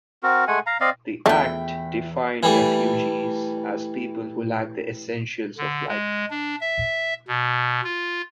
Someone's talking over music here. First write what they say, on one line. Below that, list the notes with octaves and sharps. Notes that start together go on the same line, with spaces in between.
The act defined refugees as people who lack the essentials of life.
C4 F#4 A#4
G#3 A3 F#5 G#5
F5 A#5
C4 D5 D#5 F5
E2 F3 A3 D4 E4 G5
E3 G3 A3
D3
G#3
D4
E5
B2
F4